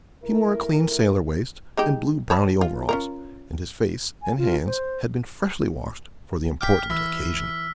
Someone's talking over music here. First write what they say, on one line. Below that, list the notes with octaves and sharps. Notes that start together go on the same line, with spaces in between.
He wore a clean sailor waist and blue brownie overalls, and his face and hands had been freshly washed for the important occasion.
A3 E4 A#4
G#3 D#4 G4
C#5 A5 B5
F4
C#4 F4 A#4
G#5
F4
C5
G5 D6 F6 B6
E3 E6 B6